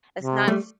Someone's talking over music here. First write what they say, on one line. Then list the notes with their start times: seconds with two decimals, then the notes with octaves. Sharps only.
it's not s
0.23 C3
0.48 G3 A3